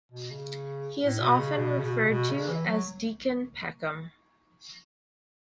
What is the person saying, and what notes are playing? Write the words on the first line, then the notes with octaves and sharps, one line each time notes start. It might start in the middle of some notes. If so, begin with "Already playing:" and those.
He is often referred to as Deacon Peckham.
B2
C#3
A2
B2
C#3
B2
C#3
B2
C#3
B2
C#3
E3
F#3